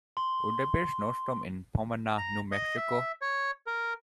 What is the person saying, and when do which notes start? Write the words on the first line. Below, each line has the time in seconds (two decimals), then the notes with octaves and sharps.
Will there be a snowstorm in Pomona, New Mexico?
0.17 C6
2.18 A#5
2.52 D#5
2.77 E5
3.22 C#5
3.67 A#4